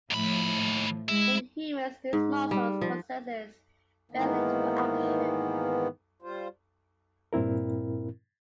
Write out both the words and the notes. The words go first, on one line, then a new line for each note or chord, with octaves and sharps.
In humans these muscles possess very little action.
D#2 A2 F3 B5
G#3 E4
G#2
G3
F3
G#2 D#3 E3 A#3 B3
G3 F4 C5
G2 A#2 C4 E4 A#4